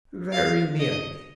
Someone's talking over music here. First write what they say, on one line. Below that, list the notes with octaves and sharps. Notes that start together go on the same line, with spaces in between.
"Very nearly."
F5
D#5